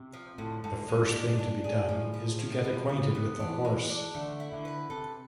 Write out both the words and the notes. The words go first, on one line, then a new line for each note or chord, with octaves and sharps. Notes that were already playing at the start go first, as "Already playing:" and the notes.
The first thing to be done is to get acquainted with the horse.
Already playing: C3
F3
A2 D3
G#2 D3
G#2 G#3
D4
D4
G#4
A2 F3
F3
F3
B2 E3
B3
C3
B3
E3 D4
G#3
D4
D3 A3
E4
D3
B4
C3 A4